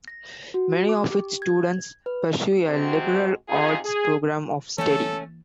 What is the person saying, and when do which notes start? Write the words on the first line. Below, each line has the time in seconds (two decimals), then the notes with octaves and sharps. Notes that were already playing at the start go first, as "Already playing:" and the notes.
Many of its students pursue a liberal arts program of study.
0.08 A#6
0.54 F#4
0.89 D6
1.10 G4
1.42 G#6
2.06 B4
2.65 C3 G#3 C4 F#4
3.49 C3 D#4 F4 G#4
3.84 G#4
4.78 E3 A3 A#3 C#4 A4